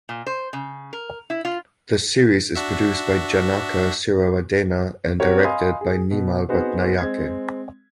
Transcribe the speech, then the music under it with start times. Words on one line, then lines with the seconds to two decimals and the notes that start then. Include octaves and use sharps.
The series is produced by Janaka Siriwardena and directed by Nimal Ratnayake.
0.09 A#2
0.27 C5
0.53 C#3
0.93 A#4
1.30 E4
1.45 F4
2.56 D4 F#4 E5
5.20 C4 F#4 G4 A#4 C#5
5.44 D#5 F5 G#5 B5 C6 D#6
5.81 G#4
6.11 B2
6.49 B3 C4 D#4 F#4 G#4 C5
6.98 G#3 C4 G#6